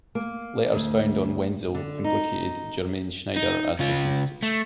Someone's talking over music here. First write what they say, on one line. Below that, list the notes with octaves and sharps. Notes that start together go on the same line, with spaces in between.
Letters found on Wenzel implicated Germaine Schneider as his mistress.
A#3
D2
D3
D#4
D#4
C#3 F4
A3